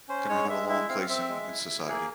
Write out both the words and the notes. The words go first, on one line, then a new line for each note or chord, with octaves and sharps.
gonna have a long place in in society.
C#4 C5
G#3 C#5
G#3 E5
E4 E5
C4 F5
C4 E5
G#3
E4
E4
A#3 G#4